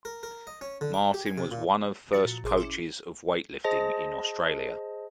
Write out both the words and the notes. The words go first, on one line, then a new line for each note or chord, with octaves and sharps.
Martyn was one of first coaches of weightlifting in Australia.
A#4
A#4
D#5
C#4
D3
D6
G4
G#5
C3
A#2
F3 F4 F#4 A6 C#7
A#2
G#1 G#4 C6 D6
C#4 E4
G#4 C5 D#5 A5 A#6